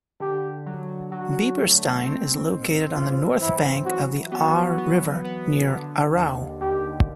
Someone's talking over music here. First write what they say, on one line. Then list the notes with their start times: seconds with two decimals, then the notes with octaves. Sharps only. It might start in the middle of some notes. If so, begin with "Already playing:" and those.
Biberstein is located on the north bank of the Aar River near Aarau.
0.20 D3 G4
0.66 F#3
1.11 F#3 F#4
1.58 A3
2.03 C4
2.49 G#2
2.95 E3 F4
3.41 E3 E4
3.86 F#3 F#4
4.32 B3 F#4
4.78 B3
5.24 B3
5.69 D3
6.16 D#2
6.61 D#2 G4